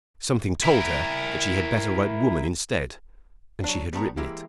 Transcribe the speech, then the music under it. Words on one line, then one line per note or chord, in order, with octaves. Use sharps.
Something told her that she had better write woman instead, and she had written it.
E4 A#4
F#3 D4
G3 A3 B3 A#5
E3 G#3 A#3 E4 G4